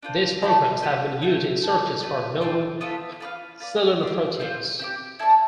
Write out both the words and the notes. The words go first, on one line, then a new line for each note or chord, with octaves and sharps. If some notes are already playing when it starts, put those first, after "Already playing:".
These programs have been used in searches for novel selenoproteins.
D4 F4 C5
A3 E4 A4
F4 B4 E5 G5
A3 C4 E4
A3 E4 A4 C5
A3 E4 B4 D5
F4 A4 D5 G5
B3 F4 A4 E5
F4 B4 D5 F5
F4 B4 D5
G4 D5 F5
C4 F4 C5 F5
C4 E4 G4
E4 A4 D5 A5